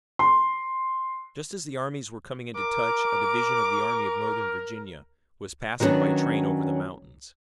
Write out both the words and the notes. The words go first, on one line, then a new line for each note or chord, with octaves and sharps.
Just as the armies were coming into touch a division of the Army of Northern Virginia was passing by train over the mountains.
C6
A#4 D6
D#3 F#3 G3 B3 C#4 D4